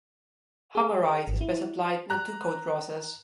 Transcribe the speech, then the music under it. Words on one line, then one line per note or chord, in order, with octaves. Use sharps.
Hammerite is best applied in a two coat process.
G#4
G#1
E4
A#5 F#6